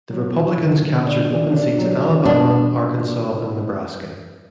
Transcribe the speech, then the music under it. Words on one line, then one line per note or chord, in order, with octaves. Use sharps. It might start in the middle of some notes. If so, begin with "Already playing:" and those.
The Republicans captured open seats in Alabama, Arkansas, and Nebraska.
F#3
D4
D3
D3
D4
D4
D4
F#3
D4
D4 B4
B4
F#4